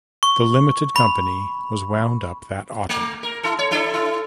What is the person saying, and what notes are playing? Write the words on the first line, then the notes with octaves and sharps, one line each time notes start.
The limited company was wound up that autumn.
C#6
B5
A3
A#4
E4 A4
C#5
D4 E4 A4
E4